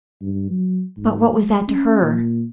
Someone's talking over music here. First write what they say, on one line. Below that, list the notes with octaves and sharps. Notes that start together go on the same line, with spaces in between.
But what was that to her?
G2
F#3
G#2
G#3
C#4
A#2